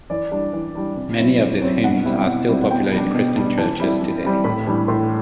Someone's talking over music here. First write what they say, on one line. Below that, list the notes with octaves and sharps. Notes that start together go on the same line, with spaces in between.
Many of these hymns are still popular in Christian churches today.
E3 D5
G3 D4
E3
G3 D4
C3
F#3 C4 E4
C3
F#3 C4 E4
B2 F#5
G3 C4 E4
B2
G3 C4 E4
F#5
B2 G5
G3 D4
B2
G3 D4
E3 A5
G3 C4 E4
E3
G3 C4 E4
A2 B5
E3 G3 D4
A2 C6